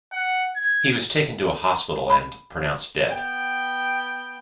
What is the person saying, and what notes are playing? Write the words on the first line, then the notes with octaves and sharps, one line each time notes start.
He was taken to a hospital and pronounced dead.
F#5
G#6
B5
B3 G5